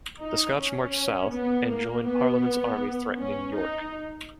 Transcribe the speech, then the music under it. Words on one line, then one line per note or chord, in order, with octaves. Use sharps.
The Scots marched South and joined Parliament's army threatening York.
D#4
C#4
B3
A#3
B3
C#4
D#4